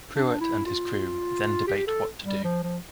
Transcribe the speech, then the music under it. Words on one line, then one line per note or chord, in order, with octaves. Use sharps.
Pruett and his crew then debate what to do.
D4
E4
F4
G4
A4
G3
F3
F3